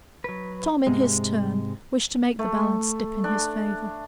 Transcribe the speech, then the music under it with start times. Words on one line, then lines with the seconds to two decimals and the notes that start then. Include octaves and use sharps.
Tom, in his turn, wished to make the balance dip in his favor.
0.24 F#3 B4
0.87 G#2 C3 G#3
2.39 A3
3.24 D4